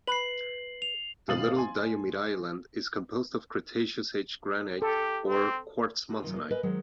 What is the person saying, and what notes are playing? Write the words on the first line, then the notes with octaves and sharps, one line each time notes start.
The Little Diomede island is composed of Cretaceous age granite or quartz monzonite.
B4 C7 F#7
F7
G#1 B2 F5 D#6 A6 F#7
G#5 C6
G4 A4
C4
F#4 G#4
F#2 C3 D#3 F4
A#3
A#4 B4 D#5 G#5
D#3 F#3 G#3 C5